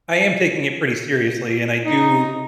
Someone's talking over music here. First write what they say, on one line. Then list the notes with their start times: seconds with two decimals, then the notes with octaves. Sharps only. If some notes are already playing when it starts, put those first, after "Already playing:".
I am taking it pretty seriously, and I do
1.84 D#4